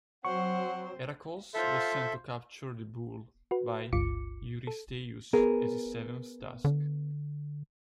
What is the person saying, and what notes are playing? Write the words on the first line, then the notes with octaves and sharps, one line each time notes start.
Heracles was sent to capture the bull by Eurystheus as his seventh task.
F#3 C4 C5 F#5 C#6
F4 A4 C5 E5
F#4 B4
G1 C#2 G2 F4 D6 C#7
A4
B3 G#4 A#4
D3